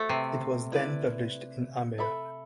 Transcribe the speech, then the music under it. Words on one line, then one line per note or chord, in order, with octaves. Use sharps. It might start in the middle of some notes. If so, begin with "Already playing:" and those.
It was then published in Amer.
Already playing: A3 F#4 C5
C3
E4 B4 D5
A4 E5 B5